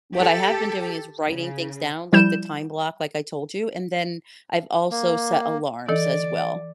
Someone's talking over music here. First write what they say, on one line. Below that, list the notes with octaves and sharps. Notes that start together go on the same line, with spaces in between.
what I have been doing is writing things down, like the time block like I told you, and then I've also set alarms as well
G4 A4
C#3
F3 G3 E4 G6 E7
A#3
E3 A4 D5 D#5